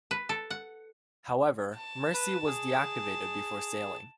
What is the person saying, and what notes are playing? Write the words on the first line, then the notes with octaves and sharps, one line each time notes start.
However, "Mercy" was deactivated before sailing.
B4
A4
F#5
A5
B4
G#4